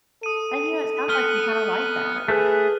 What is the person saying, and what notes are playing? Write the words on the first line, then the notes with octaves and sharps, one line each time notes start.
And, you know, it sounds like you kinda like that.
A4 D#6 D#7
B3 F6 G7
A3 G#4 A4 B4